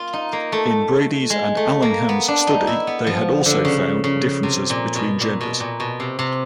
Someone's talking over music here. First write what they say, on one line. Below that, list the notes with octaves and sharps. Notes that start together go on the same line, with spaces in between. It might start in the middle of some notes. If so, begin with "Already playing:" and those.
In Brady's and Allingham's study, they had also found differences between genders.
Already playing: A#3 F4
D#4
A#3
A3
G#3
A3
A#3
B3
D4
D#4
E4
B3
F3
D3
C#3
C#3
C3
A#2
B2
A#2
B2
A#2
B2
C3
C3